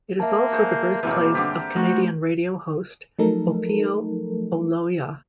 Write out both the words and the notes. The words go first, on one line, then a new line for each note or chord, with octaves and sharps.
It is also the birthplace of Canadian radio host Opiyo Oloya.
A#3 E5 A5
F#4 G#4 C5
A1 B2 E3 A#3 C4 F4
G2 D3 G4
F3 A3 F#4
F3 F#3 A3 D#4 A4 A#4